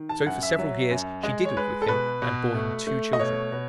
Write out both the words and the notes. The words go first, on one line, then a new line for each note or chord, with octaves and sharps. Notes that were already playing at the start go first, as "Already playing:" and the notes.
So for several years she did live with him and bore him two children.
Already playing: D#3
A5
F#2 F#5
E5
F#3
F#2
G#3 D#5
C#5
G#3 B4
A4
B2 B4
B2
A3
A3
D#5
B2 C#5
B2